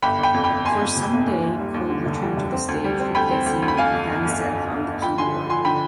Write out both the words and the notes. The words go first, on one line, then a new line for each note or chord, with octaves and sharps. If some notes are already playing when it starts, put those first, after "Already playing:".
For "Someday", Cole returned to the stage, replacing Afanasieff on the keyboard.
G1 G5 B5
G1 G5 B5
F2
G5 B5
G1
G1 G#5 C6
F2
C3
G1
D#2
D#2
G3
D#2
D3
F1
G3
F1
C4
D2
G3
C4
D2 G5 B5
C4
D2
D2
B5
F2 F5 G#5
F2
G1
G1
G1
F2
G1
G1
F3 G5 B5
D3 G#5 C6
F3
F3 G#5 C6
D3 G5 B5